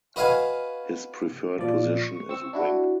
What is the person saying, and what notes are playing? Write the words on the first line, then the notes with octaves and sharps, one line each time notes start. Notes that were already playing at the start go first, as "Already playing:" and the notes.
His preferred position is wing.
F#4 B4 D#5 F5 G#5
A#2 F3 D5
C#6
C4 C#6 E6
D4 E4 F#4